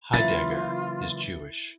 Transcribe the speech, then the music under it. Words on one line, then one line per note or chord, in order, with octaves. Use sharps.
Heidegger is Jewish.
C#3 E3 F#3 A#3 F4 A6